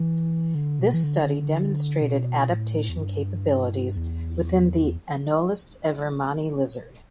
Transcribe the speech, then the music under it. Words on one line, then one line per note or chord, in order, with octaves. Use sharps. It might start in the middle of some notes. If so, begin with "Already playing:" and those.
This study demonstrated adaptation capabilities within the Anolis evermanni lizard.
Already playing: E3
D3
B2
E3
D3
B2
A2
E2
G2
E2